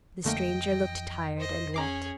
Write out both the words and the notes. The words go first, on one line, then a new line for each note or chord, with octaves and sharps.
The stranger looked tired and wet.
F2 D3 E3 F3 A3 A#3 D#5 G5
C5 D#5
C#4 G#4 A#5 D6 C7